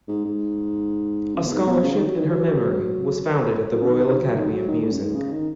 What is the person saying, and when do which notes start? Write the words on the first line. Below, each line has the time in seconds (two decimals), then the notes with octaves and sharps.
A scholarship in her memory was founded at the Royal Academy of Music.
0.08 G#2
0.25 G#2
1.35 F#2
1.46 B2
1.51 G#2
1.66 B2
1.83 C#3
1.95 D#3
2.06 F#3
2.19 D#3
2.31 F#3
3.73 F#3
3.81 C#3
3.88 D#3
4.05 D#3
4.20 F#3
4.37 D#3
4.51 F#3
4.68 D#3
4.80 G#2
4.92 F#2
5.03 G#2
5.15 C#3
5.31 D#3